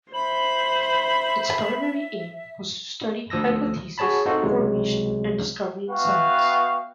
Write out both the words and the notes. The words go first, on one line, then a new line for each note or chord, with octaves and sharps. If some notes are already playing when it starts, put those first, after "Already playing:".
Its primary aim was to study hypothesis formation and discovery in science.
C5 E5 B5 F#7
D2 F3 D#6 E6 A#6
F#4 G#4 C#5 A5 B5
C4 D#4 F4 F#4 A4
C#2 C3 F#3 G#3
B3 F#4 B4 E5 F5 G5